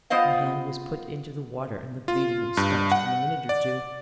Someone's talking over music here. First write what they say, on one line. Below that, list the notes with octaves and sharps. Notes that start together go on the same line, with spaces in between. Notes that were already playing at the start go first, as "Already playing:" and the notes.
My hand was put into the water, and the bleeding was stanched in a minute or two.
B3 F4 C5 D#5 F5
F4
G2
F#5
D5